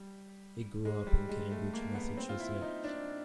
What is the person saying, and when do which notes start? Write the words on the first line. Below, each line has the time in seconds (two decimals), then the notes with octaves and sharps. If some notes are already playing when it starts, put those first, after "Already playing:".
He grew up in Cambridge, Massachusetts.
Already playing: G3
0.85 G#3
1.07 G3
1.29 G#3
1.51 A3
1.73 A#3
1.95 B3
2.17 C4
2.29 F4
2.40 E4
2.62 D#4
2.84 D4